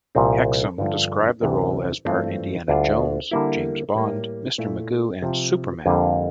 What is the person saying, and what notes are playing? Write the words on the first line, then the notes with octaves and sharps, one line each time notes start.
Hexum described the role as part Indiana Jones, James Bond, Mr. Magoo, and Superman.
C2 A#2 F3 C4
G2 D3 F3
D2 C3 E3
G2 E3 A3 C4 F4
D2 D3 G3 D4 F4
D3 G3 A#3 E4
A2 G3 A#3
A#2 A3 E4
C3 F3 C4
F2 D3 G3 A#3 F4